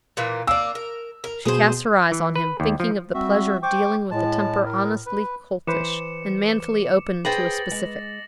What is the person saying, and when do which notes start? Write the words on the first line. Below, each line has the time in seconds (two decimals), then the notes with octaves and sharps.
She cast her eyes on him, thinking of the pleasure of dealing with a temper honestly coltish, and manfully open to a specific.
0.17 A#2 E3 A#3
0.47 A#3 D4 E6
0.75 A#4
1.24 A#4
1.45 B2 G#4 C5
2.12 E3
2.36 B4
2.60 D#2
2.80 F3
3.14 G3 C4 F#4 E5
3.63 C5 G5 C#6 D6
4.11 A2 G#3 A5
4.66 A#4
5.06 B4
5.67 E3 B4 C5 D6 C#7 E7
7.25 G#4 B4 C5 G5 A6 A#6 F#7
7.71 G#3